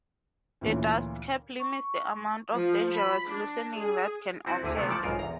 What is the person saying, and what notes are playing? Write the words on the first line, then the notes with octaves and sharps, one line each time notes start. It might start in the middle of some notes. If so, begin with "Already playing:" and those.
The dust cap limits the amount of dangerous loosening that can occur.
D2 A#2 E3 C#4
C#6
F3
B5
D4
G#4
C4 E4 F#4 D5
D2 D3 E4 G#4
C3 A3 B3
E3 F3 A#4 D5 F#5 A5
B1 G#2 F4 A#4
E2 A#5